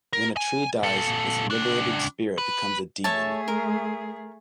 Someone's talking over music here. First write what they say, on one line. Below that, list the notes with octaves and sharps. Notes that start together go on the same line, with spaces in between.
When a tree dies, its liberated spirit becomes a demon.
A#4
G#5
A#2 A4
C#2 D4
B4
A3 G#4 C#5 E5 A5
A#4